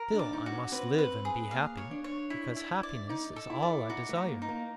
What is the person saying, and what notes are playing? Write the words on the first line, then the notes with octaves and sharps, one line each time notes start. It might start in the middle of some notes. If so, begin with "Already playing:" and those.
'Still I must live and be happy, because happiness is all I desire.
Already playing: A#4
D4
D5
D#4
F#4
C#4
C4 B4
B4
G#4
A#3 F5
C#5
D4
C#5
E4
E4
D5
D#4 D5
A4
E4
D5
D#4 F#4
A3
D#4
A#3
D#4
A#3